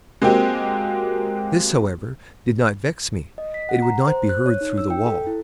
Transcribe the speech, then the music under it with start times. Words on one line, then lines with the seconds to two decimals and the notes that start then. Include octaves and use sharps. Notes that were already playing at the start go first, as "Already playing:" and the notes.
This, however, did not vex me; it would not be heard through the wall.
0.22 G#3 A#3 C4 F#4 G4
3.38 D#5
3.54 B6
3.69 F#5
3.82 A#5
4.08 C5
4.29 F#6
4.46 C#5
4.61 D#4
4.78 E6
4.90 G5
5.06 A4
5.27 E4